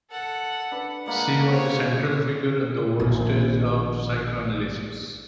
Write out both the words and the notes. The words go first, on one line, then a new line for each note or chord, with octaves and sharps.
She was a central figure on the world stage of psychoanalysis.
A4 F#5
D4 B4
G#3 A#3 F#5 B5
C4 C#5
A#1 D#3